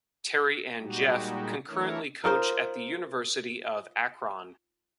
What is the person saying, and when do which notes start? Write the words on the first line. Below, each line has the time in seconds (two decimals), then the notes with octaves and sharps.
Terry and Jeff currently coach at the University of Akron.
0.80 A#2 G3 G#3 D#4 F#4 G4
1.69 E3 A3 D4 E4 A#4 C#5
2.24 D#4 F4 A#4 C5